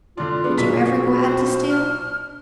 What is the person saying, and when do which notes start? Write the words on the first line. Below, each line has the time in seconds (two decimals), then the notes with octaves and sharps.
"Did you ever go out to steal?"
0.17 D3 D4 F4
0.44 B3 D4 G#4
0.57 B1 A#2 F#4 B6
1.28 C5
1.69 F6